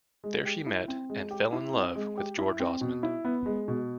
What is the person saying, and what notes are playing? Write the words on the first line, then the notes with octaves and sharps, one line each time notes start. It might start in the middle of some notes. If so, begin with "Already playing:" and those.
There she met and fell in love with George Osmond.
G#3
G4
E4
C4
G#3
G4
E4
C4
G#3
G4
E4
C4
B2
E4
B3
G#3
B2